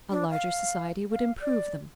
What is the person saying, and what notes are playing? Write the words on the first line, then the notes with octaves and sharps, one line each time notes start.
A larger society would improve them.
D4
F5
F5
D5